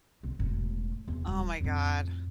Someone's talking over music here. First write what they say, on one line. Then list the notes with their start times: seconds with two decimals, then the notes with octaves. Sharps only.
Oh my god.
0.23 B1 D3
0.39 E1 A2
1.08 E2
1.26 D#1 G3
1.61 F2 A2